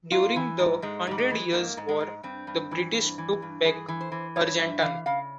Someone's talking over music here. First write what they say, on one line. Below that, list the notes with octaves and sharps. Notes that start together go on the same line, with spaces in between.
During the Hundred Years' War, the British took back Argentan.
G#2 F4
E3
G#2
G#2 G#3
G#2 G3
G#3
E3
G#2 A#3
G#2
G#3
G#2
G2 C4
G2
E3
G2
E3
G2
E3 G#4
E3
C5
E3
G2 C#5
G2 E5
E3 F5
C#3 F5